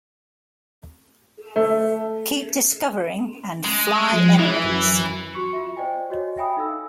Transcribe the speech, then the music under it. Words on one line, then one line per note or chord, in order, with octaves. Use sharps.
Keep Discovering" and "Fly Emirates.
A3
G#3
F3
E3 E4
F#2
F#4 C#6 C#7
F4 E5
C5 D5 D#5 G5 G#5
F#4 C#5 D#5
E5 G5 G#5 B5 D#6
D#4 A4 F5 E6